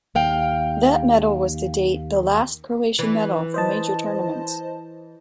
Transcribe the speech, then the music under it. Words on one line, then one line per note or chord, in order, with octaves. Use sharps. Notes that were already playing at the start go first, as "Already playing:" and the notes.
That medal was to date the last Croatian medal from major tournaments.
D#2 F5 G5
E3
C5 D#5 A5